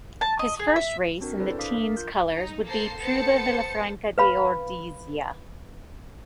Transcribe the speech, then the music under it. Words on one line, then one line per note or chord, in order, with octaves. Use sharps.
His first race in the teams colours would be Prueba Villafranca de Ordizia.
A5
D#5
G#4
E5
C4 D4 F#4 A#4
E4 A4 B4 C5 D5
D4 F5 D6 D#6 B6
A#4
F4 G6
D#4
A#3 A4 C5 C7
B3 A4 C5 A5 C#7
B4 F5 B5